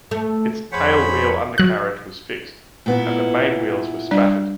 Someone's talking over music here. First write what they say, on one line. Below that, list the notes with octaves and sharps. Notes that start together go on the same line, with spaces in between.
Its tailwheel undercarriage was fixed, and the mainwheels were spatted.
A3
F2 G#4 C5 C#5 F#5 B5
F#3 F#6
A#2 B3 E4
G3 D4 D5